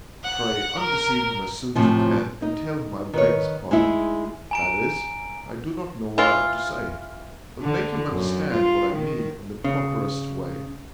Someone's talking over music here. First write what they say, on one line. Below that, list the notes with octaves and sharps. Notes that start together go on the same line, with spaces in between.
Pray undeceive him as soon as you can, and tell him I beg his pardon--that is--I do not know what I ought to say--but make him understand what I mean, in the properest way.
F#5
A#4
F#2 A2 C3 F3
D#4
D#3 B4 C#5
G#3 D#4 E4 G#4
G#5 A#5 D7
E3 F4
D3
F#2
F4
D#3
C#3